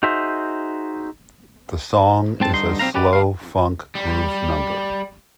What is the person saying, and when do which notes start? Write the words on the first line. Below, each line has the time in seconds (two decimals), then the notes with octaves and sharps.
The song is a slow funk groove number.
0.03 D#4 F#4 G#4 C5 E5
2.40 G#2 C4 A5
2.53 G2 D3 D#4 C6
2.79 B1 G3 C4 B4 F5 A#5
2.94 C#4 G4 B4 D5
3.13 D3 F5
3.95 G3